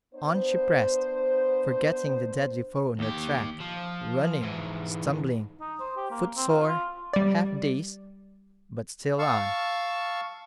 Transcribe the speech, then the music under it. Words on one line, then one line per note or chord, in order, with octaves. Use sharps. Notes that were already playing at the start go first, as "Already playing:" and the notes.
On she pressed, forgetting the deadly foe on her track, running, stumbling, foot-sore, half-dazed, but still on . . .
B3 D4 C5
D#2 G4
F3
G#2 E3
D#4
C5
G4
A#3
C4
F4
F4
G3 D5
F5 A5 C#6 E6